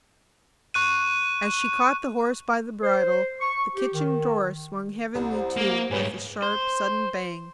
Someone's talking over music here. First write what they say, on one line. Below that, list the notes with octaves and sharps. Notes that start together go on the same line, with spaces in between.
As she caught the horse by the bridle, the kitchen door swung heavily to with a sharp, sudden bang.
C#6 F#6 D#7
C5
C#6
G4
D#3
C2
C5
A#3
G#2 G3 G#4 B4 C#5
C5